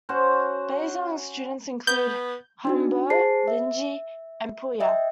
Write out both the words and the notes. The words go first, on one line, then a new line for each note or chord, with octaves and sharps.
Baizhang's students included Huangbo, Linji and Puhua.
C#4 F#4 C5
B3 G6
D4 D#4 F#4
G#4 C5 A5 C7
E5
D#5 E5 G5